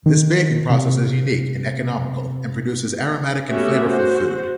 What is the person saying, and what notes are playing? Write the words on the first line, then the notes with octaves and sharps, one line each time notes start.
This baking process is unique and economical and produces aromatic and flavorful food.
D#3
C3
A3 B3 C#4 F#4 G4 E5
F#4 C5